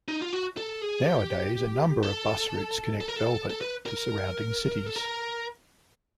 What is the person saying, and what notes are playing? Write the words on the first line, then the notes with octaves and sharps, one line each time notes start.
Nowadays a number of bus routes connect Velbert to the surrounding cities.
D#4
F4
F#4
A4
G#4
G4
A4
A4
A#4
A4
A4
B4
A#4
A4
A#4